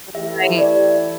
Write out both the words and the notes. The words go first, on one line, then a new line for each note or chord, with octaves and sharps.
R right.
E3 A3 E4 G4 E5
D5